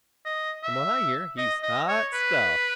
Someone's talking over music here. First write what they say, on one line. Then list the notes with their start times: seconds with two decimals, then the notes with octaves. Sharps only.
"From what I hear, he's hot stuff!"
0.25 D#5
0.63 E5
1.38 D#5
1.63 D#5
1.88 C#5
2.13 B4